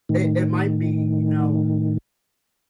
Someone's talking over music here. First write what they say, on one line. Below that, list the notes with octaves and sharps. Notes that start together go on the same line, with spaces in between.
It it might be, you know
A2 D#3